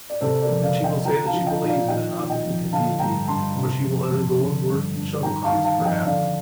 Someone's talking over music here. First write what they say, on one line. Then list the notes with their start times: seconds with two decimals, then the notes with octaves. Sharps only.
Then she will say that she believes in an Omnipotent Deity or she will utter the one word "shuttle-cocks", perhaps.
0.10 D5
0.21 C3 A4 C5
0.42 A#4 D5
0.49 F2
0.63 D5 F5
0.77 F2
0.84 D#5 G5
1.05 F3 G5 A#5
1.26 F5 A5
1.33 F3
1.46 D#5 G5
1.60 A#2
1.67 D5 F5
1.88 D#3 D#5 G5
2.16 D#3
2.30 D#5 G5
2.44 F2
2.72 D3 F5 A5
2.99 G2 G5 A#5
3.27 G2 A5 C6
3.56 C3
3.84 F2
4.12 F2
4.39 D3
4.67 G2
4.95 G2
5.23 D#3 G5 A#5
5.43 F5 A5
5.51 D#3
5.64 F5 A5
5.79 F2
5.85 D#5 G5
6.06 D3 D5 F5